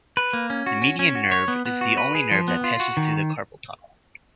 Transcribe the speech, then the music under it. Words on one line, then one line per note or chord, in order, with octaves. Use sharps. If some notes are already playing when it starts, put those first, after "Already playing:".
The median nerve is the only nerve that passes through the carpal tunnel.
B4
A#3
C#4
F#4
C#4
C#4
F#4
C#5
B3
B3
F#4
B4
G#4
F3
B3
F4
F#4
D#3